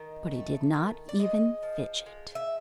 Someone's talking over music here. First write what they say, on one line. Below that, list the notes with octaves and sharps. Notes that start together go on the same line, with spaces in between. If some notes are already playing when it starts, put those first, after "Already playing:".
But he did not even fidget.
Already playing: D#3 D#5
A3
D#3
D5
G#3 D#5
F3
G#3
E5